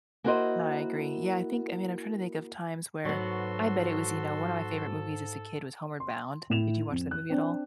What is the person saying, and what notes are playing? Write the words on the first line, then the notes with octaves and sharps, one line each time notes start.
No, I agree. Yeah, I think I mean, I'm trying to think of times where I bet it was You know, one of my favorite movies as a kid was Homeward Bound. Did you watch that movie at all?
A#3 E4 F#4 A#4 C5 D#5
G#2 F#3 B3 F#4 A4 C6
C6
A2 E4 E7 F7
F2
F#6
C4 D4